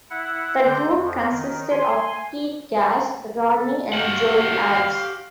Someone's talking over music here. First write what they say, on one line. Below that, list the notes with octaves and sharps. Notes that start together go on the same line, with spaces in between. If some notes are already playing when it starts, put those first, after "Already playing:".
The group consisted of Pete Gas, Rodney, and Joey Abs.
E4 F#5
D3 C4 G6
F2
D#3
G#5 C6
A4
D#2 F#4 G4 F5 F#5